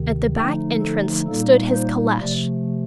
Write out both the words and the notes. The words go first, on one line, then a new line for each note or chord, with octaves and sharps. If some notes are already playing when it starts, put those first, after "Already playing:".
At the back entrance stood his caleche.
Already playing: D2 C3 D#3
D3 F3 A3 D#4 G5
A4
A#2 G3 A#3 D#4 A4
C5
C3 F3 A3 D5